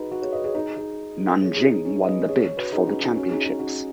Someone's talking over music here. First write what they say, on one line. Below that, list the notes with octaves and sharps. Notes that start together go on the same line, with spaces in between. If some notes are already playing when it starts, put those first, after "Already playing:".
Nanjing won the bid for the Championships.
Already playing: D#4 F#4 G#4 B4
F#4 B4
G#4 C#5
B4 D#5
G#4 C#5
D#4 G#4
D#4 G#4
G#4 C#5
D#4 G#4
D#4
C#4
B4 D#5
G#4 C#5
G#4 C#5
F#4 B4
D#4 G#4
C#4 F#4
D#4
C#4 F#4
D#4 G#4
D#4 G#4
C#4 F#4